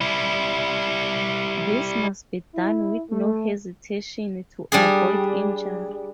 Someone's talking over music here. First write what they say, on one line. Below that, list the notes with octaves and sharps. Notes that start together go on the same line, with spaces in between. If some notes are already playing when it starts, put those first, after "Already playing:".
This must be done with no hesitation, to avoid injury.
G3 E4
E4
A3
G3 D4 G#4